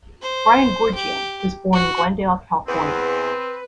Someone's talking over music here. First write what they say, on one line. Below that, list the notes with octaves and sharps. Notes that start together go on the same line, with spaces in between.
Brian Goorjian was born in Glendale, California.
C5
G4
F#4
E2 C4 B4